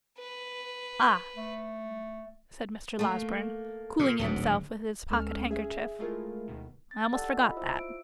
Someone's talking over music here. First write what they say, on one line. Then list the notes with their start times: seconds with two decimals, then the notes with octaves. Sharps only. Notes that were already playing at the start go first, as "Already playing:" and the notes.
'Ah!' said Mr. Losberne, cooling himself with his pocket-handkerchief; 'I almost forgot that.'
0.19 B4
1.37 A3
2.99 A3 A#3
3.99 A#2
4.19 D1 D2 G#2
5.10 D2 G#3 C#4 A4 E6 F6
5.51 G#4 E5
5.99 G#3 A3 E4 F4 G#4 A#4
6.48 D2 B2 D#3
6.91 A6
7.12 G4 A4 D5 F#5 A5 E6
7.37 F4 D#5 B5
7.57 E4 F4 C5 E5 E6
7.79 D7